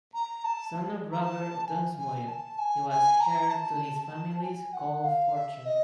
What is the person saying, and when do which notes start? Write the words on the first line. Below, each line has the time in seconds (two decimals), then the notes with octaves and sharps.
Son of Robert Dunsmuir, he was heir to his family's coal fortune.
0.14 A#5
0.44 A5
1.12 A#5
1.21 A5
1.67 G#5
1.98 G#5
2.28 A5
2.58 G#5
2.90 G#5
3.20 A#5
3.50 A5
3.96 A5
4.42 G#5
4.73 F#5
5.04 F5
5.34 E5
5.65 D#5